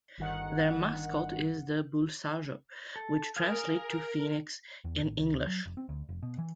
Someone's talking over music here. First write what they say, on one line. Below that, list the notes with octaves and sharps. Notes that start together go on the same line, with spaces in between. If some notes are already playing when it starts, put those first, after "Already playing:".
Their mascot is the Bulsajo, which translates to "Phoenix" in English.
G1 D#3 F#5
A4
G#4 A#4 F5
E2
A1
C#2
D2
F#3
F1
C4
D2
F1
B2
E3